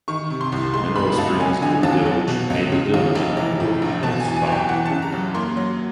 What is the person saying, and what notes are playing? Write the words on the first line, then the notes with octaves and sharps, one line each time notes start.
Mineral springs near the village made the village an important health spa.
D#3 C#6
C3
C6
C2
G#3 C6
B2 B5
C#2 A5
F#3 G#5
D3 G#5
D#2 A5
F#3
B2
C#2
C#3
D#2
F1
E3 A#5
A2
A#1
B2 A5
G#5
E2
G#5
F#1 G5
E3 F#5
C#3 A5
A#5
F#2
A#3 C6
F#3